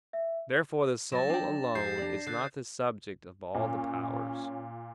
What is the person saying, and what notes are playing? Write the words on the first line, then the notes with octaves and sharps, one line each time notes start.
Therefore the soul alone is not the subject of all the powers.
E5
F#3 A6 A#6 E7
D4 G5
F2 G4 G6 C7 E7
D4 D5
D3 F#6 A6 C7
A#2 C#4